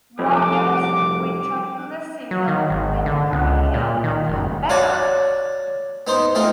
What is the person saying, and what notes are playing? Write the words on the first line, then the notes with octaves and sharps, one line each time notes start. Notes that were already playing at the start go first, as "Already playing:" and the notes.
Rogers returned to the serial when her health became better.
C2 F2 D6
F#3
D#3
G#1
D3
C#2
A#2
D#3
F#1
F#4 C#5 D5
B3 D#4 C5
A3 C4 D#4 F4